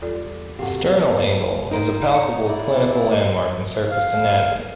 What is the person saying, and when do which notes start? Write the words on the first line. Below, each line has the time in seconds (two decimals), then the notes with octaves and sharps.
The sternal angle is a palpable clinical landmark in surface anatomy.
0.02 E2 G3 F4 A4 D5
0.59 C3 F#4 G4 A4 F5 F#5
1.71 D#4 A#4 C5
2.15 D#4 C#5
2.48 E4 D5
3.91 F5